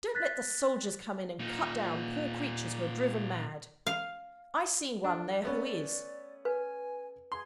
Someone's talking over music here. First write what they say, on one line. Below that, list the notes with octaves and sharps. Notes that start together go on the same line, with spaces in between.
Don't let the soldiers come in and cut down poor-creatures who are driven mad. I see one there who is.
F#6 A6 B6
A#2 D#4
F5
D4 A4
A3 B3 C#4 D5
B4 G#5
G#4 C6